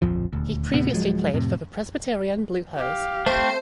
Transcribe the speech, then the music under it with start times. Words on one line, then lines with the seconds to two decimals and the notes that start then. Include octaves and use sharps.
He previously played for the Presbyterian Blue Hose.
0.02 D1 A#1 F2 F3
0.33 D#1 D2
0.74 D#2 A2 C3 B3
0.92 D1 F3 F#3 G#3
1.34 F2 A2 C3
2.75 G4 F5
3.26 A3 C4 C5